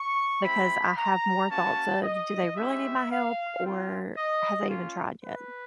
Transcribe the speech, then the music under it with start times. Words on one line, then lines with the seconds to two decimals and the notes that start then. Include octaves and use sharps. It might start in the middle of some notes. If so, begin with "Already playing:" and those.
because I have more thoughts of, "Do they really need my help, or have they even tried yet?"
Already playing: C#6
0.43 G#3 C4 E4 B5
0.97 A#5
1.49 A#3 C#4 F#4 A5
2.02 D#5
2.56 G#3 C#4 E4 G4 E5
3.10 F5
3.63 C4 F4
4.16 D#5
4.69 A#3 C#4 F4
5.22 B4